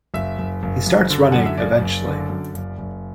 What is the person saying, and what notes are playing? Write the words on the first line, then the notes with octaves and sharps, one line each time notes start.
He starts running eventually.
F#1 E5
F#1
F#1
F#2
D3
F#2 F#5
E5
F#1 D5
F#1
D3
F#2
F#1
F#1